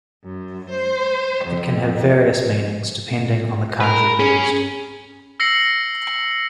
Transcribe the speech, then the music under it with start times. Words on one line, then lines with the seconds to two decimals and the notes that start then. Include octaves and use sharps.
It can have various meanings depending on the Kanji used.
0.24 F#2
0.71 C5
1.45 F2
3.20 A#2
3.80 A#4 B4 B5
4.20 C#4 G#4
5.40 E6 A#6 C7 C#7 F#7